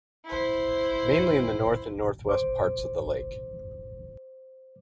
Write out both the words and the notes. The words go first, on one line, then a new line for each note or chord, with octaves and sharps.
Mainly in the north and northwest parts of the lake.
E4 C5
C5 D6